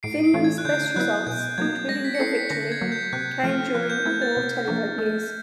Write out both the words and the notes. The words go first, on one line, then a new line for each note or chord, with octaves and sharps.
Finland's best results, including their victory, came during all-televote years.
A2 C7 D7
C7 D7
E3 A3 C#4
G#6
F#6
D3 G6
F#3 B3 E4 F#6
B2 G6
F#3 A#3 D#4 G#6
G#3 A#6
B6
C#7
C#4 E4 A4 C7
B6
D3 A#6
G#6
F#3 A#3
G6
C3 F#6
F3 A3 C#4 F6
F3 F#6
G6
A3 C4 E4 G#6
A6
C3
F3 A#3 D4
A3